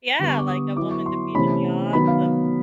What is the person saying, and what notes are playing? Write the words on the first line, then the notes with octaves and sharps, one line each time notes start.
Yeah. Like, a woman defeating the odds of,
D3 G3 B3
C#6
D6
D#6
F#3 B3 E4 D6
C#6
C6
C3 E3 A3 C#4 B5
D#3 F#3 B3 B5
F5